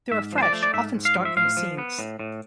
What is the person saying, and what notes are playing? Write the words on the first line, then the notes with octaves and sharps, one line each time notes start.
There are fresh, often startling scenes.
G#2 E5
F3
C5
D5
A3
D5
G#2 E5
G#2
F5
F3
E5
A2 F5
F3
B3
A2
A2